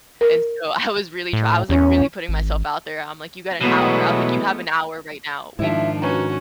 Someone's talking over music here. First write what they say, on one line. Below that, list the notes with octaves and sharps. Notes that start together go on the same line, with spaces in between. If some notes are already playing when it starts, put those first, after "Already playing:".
And so I was really try I was, like, really putting myself out there. I'm, like, "You got an hour." I was, like, "You have an hour right now." We've
A#4
A2
E2 C#4
G#1
B2 E3 F#3 G#3 A3 B3
G#2 D#3 F3 D4 E4 F4 E5
C#4 F#4 B4 A#5